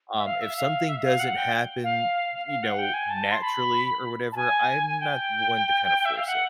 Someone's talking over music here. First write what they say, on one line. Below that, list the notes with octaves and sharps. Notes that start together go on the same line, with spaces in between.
um, if something doesn't happen, you know, naturally or whatever, I'm not one to kinda force it.
E5
F5
E5
F5
E5
E5
F5
F#5
G5
F5
F5
F#5
G5
G#5
A5
C6
B5
A5
G#5
G#5
G5
E5
F5
F#5